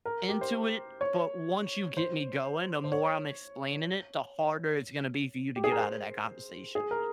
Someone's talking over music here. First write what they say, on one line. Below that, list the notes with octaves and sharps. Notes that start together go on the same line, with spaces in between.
into it, but once you get me going, the more I'm explaining it, the harder it's gonna be for you to get out of that conversation,
A#4
G4
C5
C#5
C5
C5
C#5
G4
G#4
A#4
C5
G#4
A#4